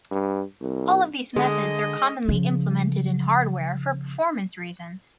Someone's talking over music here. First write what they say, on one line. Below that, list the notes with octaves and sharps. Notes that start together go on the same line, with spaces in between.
All of these methods are commonly implemented in hardware for performance reasons.
G2
C2
D3 G#3 D#5
C#3 F3